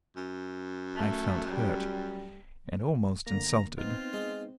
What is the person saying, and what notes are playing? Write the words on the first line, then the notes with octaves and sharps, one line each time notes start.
I felt hurt, and almost insulted.
F#2
A3
G3
D3 A#3 A#5
B3 C4 D#4 F4
G#3